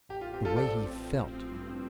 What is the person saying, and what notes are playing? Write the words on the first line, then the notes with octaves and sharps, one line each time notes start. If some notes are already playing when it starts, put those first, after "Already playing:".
The way he felt.
A1 G4
F4
C4 G4
F4 A4
F3 A4 D5
A1
F3
C4
G2